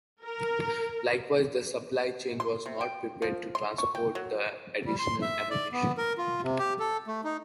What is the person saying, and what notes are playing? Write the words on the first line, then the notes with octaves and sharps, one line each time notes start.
Likewise, the supply chain was not prepared to transport the additional ammunition.
A#4
C6
C3
G5
F3
C6
C#6
G5
F#3
G3
C6
E5
D5
B3
A#4
F4
C3
G4
A4
A3
D#4